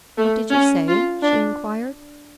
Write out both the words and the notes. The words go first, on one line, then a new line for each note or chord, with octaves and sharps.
"What did you say?" she inquired.
A3
C#4
F4
D4